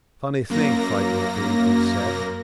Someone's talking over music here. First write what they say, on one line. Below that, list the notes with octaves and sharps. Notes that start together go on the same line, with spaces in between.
"Funny thing fighting'll be," he said.
F#2 A#3 A#6